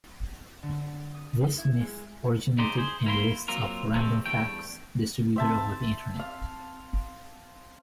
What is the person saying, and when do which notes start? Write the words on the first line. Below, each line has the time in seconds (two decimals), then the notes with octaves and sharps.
This myth originated in lists of "Random Facts" distributed over the Internet.
0.63 D3
1.15 D#6
1.58 E4
1.80 G#3
2.59 C#3 D#4 G4 C5
2.78 G#4 C5
3.06 A#3 E4 C6
3.48 F#3 A#3 C4 F4 A#4
3.95 E2 C3 A3 C4
4.26 E2 G2 A3 G5
5.36 C4 E5 A5
6.19 F5